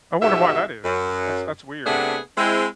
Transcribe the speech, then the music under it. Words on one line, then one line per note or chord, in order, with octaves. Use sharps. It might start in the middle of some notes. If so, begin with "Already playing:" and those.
I wonder why that is. That's that's weird.
E2 G#2 B2 G4 E5
F#2
C3 A3 B3 D4 G#4 F#5
G#3 C4 E4